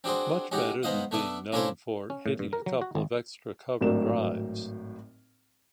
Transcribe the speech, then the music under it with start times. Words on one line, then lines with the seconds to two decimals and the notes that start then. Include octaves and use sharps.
Much better than being known for hitting a couple of extra-cover drives.
0.04 C4 D4 F#4 G#4 C5
0.52 C#4 D#4 F#4 G4
0.83 G#2 B3 C5 D#5 F5 F#5
1.11 A3 B3 D4 E5
1.52 A#3 C#4 D4 E4 A4 C5
2.10 C#4
2.26 A2
2.39 G2
2.53 A#4
2.66 F#3
2.81 F#4
2.95 G#1
3.81 G#1 A2 F#3 D4 A#4 E7